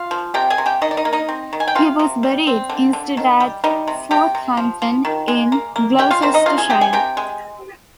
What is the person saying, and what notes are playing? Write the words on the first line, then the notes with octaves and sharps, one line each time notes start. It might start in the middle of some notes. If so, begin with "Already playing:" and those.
He was buried instead at Forthampton in Gloucestershire.
Already playing: F4 F5
F3
C3 G4 G5
G#4 G#5
C3
G4 G5
D#3 D#4 D#5
D5
D#4 D#5
A#3
D#4 D#5
C4
D#3
G#5
G5
C3 F4 F5
C3
G3
C4
D3
D3
D#3
G3
G3 D#4 D#5
C3
C3 G4 G5
C3
F3
F3
D#3
G#3
A#3
A#3
G#3 G4 G5
F4 F5
D#3 C4 C5
D#4 D#5
C3 F4 F5
G#4 G#5
C3 G4 G5
G#4 G#5
C3 G4 G5
G#3